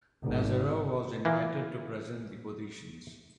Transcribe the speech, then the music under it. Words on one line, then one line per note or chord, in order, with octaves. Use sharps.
Nazarov was invited to present the positions.
G#1
E3 A#3